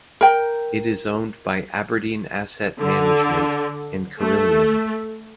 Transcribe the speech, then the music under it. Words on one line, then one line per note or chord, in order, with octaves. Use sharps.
It is owned by Aberdeen Asset Management and Carillion.
A#4 G5
D3
A3